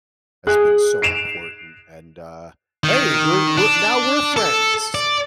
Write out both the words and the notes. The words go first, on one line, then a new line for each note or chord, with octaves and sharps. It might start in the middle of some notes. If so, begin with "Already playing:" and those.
has been so important, and, uh hey! We're we're now we're friends!
G#4 F#6
C7 D7 E7 F7
D#3
D4
A4
D5